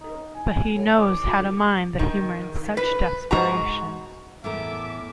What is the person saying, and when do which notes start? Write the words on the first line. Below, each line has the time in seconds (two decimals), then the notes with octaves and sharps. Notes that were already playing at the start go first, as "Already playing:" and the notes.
But he knows how to mine the humor in such desperation.
0.01 D#4
0.35 G#5
0.75 A2
0.99 D6
1.99 D#3
2.77 B4
3.31 G#2 F#4 A#5
4.44 E2 A2 A#4 E5 D6